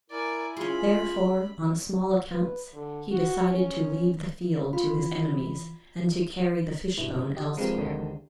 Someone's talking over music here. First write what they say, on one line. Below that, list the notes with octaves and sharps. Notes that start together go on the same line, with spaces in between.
Therefore, on small accounts he decided to leave the field to his enemies and to carry the fishbone elsewhere.
E4 A#4 D5 G#5
C#4 F4 G#4 B5
B4
D3
F#4
C#4
F4 B5
E3
G2 B2 E4
G4 D#5
F3 G#3 C4 G4 A#4 B4
D2 D3 D#3